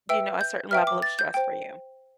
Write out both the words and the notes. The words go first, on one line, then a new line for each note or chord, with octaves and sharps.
you know, a certain level of stress for you?
B4 E5 G5 E6
G6
B4 E5 G5 F6
D6
A6
G6
C5 G5